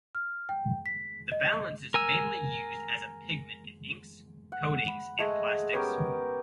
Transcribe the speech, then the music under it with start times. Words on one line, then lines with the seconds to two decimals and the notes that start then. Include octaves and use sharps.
The balance is mainly used as a pigment in inks, coatings and plastics.
0.15 F6
0.49 G5
0.86 B6
1.32 D#5
1.94 A#4 G#5 E6
4.52 F#5
4.87 B5
5.19 G#3 A3 G#4 D#5
5.73 B3 C#4 G4 A#4